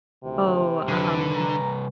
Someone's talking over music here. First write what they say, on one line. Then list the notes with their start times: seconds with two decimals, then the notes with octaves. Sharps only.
"Oh, um"
0.24 D2 C3 D#3 E3
0.88 C2 F2 D3 B4
1.35 A#5